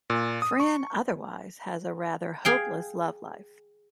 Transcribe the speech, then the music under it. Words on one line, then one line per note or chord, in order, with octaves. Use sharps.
Fran otherwise has a rather hopeless love life.
A#2
D#6
C#6
G#4 F5 G5